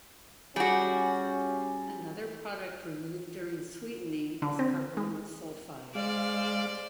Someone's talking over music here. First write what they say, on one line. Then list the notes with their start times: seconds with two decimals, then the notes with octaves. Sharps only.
Another product removed during sweetening is carbonyl sulfide.
0.56 G3 C#4 F#4 G#4
4.42 D3
4.59 C4
4.97 G#3
5.95 G#3 C5 D5 F5